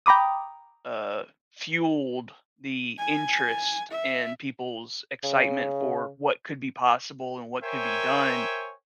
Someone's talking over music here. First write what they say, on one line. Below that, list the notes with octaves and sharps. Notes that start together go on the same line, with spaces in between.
uh, fueled the interest in people's excitement for what could be possible and what could be done,
G5 A#5 B5 D6 D#6
G#5
E5
C#3
A#4 C5 C#5 E5 G5 G#5